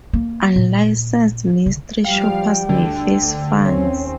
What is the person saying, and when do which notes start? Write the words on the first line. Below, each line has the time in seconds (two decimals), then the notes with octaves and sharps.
Unlicensed mystery shoppers may face fines.
0.13 A#3
0.56 A#2
1.66 D3
2.04 F3 G3 F5 G5
2.69 D2 D3
3.65 D#2 C4 C#4 C#5